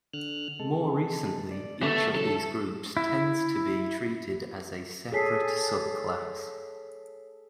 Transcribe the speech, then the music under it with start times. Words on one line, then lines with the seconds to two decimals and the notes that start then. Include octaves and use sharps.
More recently each of these groups tends to be treated as a separate subclass.
0.14 D3 F6 F#6
0.59 C3 G#3 A4
1.51 D5
1.83 A3 B3
2.15 C#3 E3 F#3 A4
2.97 E4
5.12 G#4 A4 C#5 B6 C7